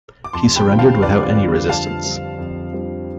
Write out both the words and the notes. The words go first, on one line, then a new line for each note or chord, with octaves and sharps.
He surrendered without any resistance.
D6
F2 A5 C6
G5 B5
D3 G3 C4 F4
F5 A5
F2 B4 D5
D3 G3 C4 F4
F2 F5 A5
D3 G3 C4 F4
F2
D3 G3 C4 F4